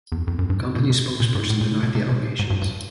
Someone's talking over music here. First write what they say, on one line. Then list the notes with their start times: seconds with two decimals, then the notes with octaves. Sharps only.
A company spokesperson denied the allegations.
0.12 E2
0.17 F2
0.27 F2
0.39 F#2
0.50 G2
0.60 C3
0.76 B2
0.90 C3
1.20 A#2
1.35 G#2
1.50 A2
1.61 A#2
1.72 C#3
1.83 B2
1.95 C3
2.09 B2
2.18 A#2
2.24 A2
2.39 G#2
2.50 G2
2.62 G2